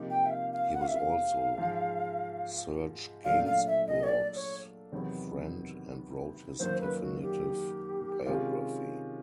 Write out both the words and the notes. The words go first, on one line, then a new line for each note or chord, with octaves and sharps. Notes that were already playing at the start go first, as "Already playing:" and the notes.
He was also Serge Gainsbourg's friend and wrote his definitive biography.
Already playing: C3 F3 A#3 D#4 G4
G5
E5
F5
F5
F#5
F5
E5
F5
G#2 F3 G#3
A#2 F#3 A3 D4 F5
F5
E5
D#5
C#5
D5
C#5
E2 C3 D#3 F#3 B3
F#2 D#3 F#3 A#3 C5
B4
F#4
G4
C3 D#3 G#3 C#4 F4